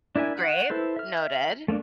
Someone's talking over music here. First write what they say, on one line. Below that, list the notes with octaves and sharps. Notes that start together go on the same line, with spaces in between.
Great. Noted.
D4 E4 A#4 E5 G#5
F#5
E4 A4 B4 C5
E5 F6
A3 A#3 C4 D4